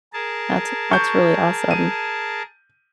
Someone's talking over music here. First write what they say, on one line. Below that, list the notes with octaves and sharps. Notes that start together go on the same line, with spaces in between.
That's that's really awesome.
G#4 A#4 A5
C#6 G6
D#7